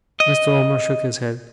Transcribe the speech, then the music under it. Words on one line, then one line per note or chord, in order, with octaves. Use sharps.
Mr. Omer shook his head.
D#5